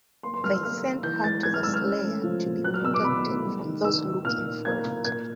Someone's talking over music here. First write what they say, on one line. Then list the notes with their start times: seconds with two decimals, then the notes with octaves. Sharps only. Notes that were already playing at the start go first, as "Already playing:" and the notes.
They sent her to the Slayer to be protected from those looking for it.
0.23 A#3 C6
0.34 C6
0.44 G3 F6
0.53 E6
0.63 A#3 F6
0.84 A#3
1.03 E3 G6
1.24 G#3 A6
1.43 G#3 G#6
1.54 F6
1.63 G#3 E6
1.74 F6
1.84 C#4
2.04 A3
2.23 F3
2.45 A#2
2.64 F#3 F#6
2.74 F6
2.84 B2 E6
2.94 D6
3.04 B2 B5
3.25 A3
3.45 G3
3.64 D#3
3.84 D#3 E6
4.05 D#3
4.25 A#2 F6
4.44 A#2
4.65 A#3 G#6
4.84 A#2
5.05 A#2 G#6